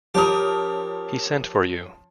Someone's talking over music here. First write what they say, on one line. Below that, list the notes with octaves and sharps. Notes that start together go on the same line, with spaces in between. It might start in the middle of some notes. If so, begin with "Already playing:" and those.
He sent for you.
F3 C#4 G4 A#4 D#6